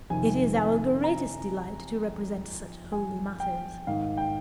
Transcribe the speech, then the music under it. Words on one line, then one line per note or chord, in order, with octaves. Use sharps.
It is our greatest delight to represent such holy matters....
F2 C3 D#3 G#5
G#5
A#5
G#5
G5
G#2 D#3 F5
G5